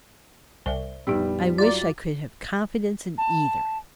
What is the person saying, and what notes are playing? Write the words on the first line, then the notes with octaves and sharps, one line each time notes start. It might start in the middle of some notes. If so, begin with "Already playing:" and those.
I wish I could have confidence in either.'
C2 C5 D5 E5 G7
A#1 F2 G3 B3 D#4 E6
F#3 F4 D5 A#5 C6
A5